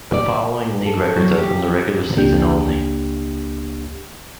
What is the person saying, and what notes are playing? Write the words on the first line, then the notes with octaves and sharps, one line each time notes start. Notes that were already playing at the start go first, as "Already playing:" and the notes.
The following league records are from the regular season only.
D5
A4
F#3
G4
C#2 A#3 D4 G4 G6